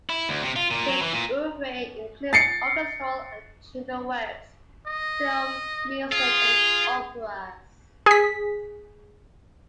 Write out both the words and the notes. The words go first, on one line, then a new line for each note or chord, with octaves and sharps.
His oeuvre includes orchestral and chamber works, film music and operas.
E4
D2
C3
F4
A#2
F#3
E3
A#2
A6 C7 C#7
D#5
F4 G#4
G#4 B6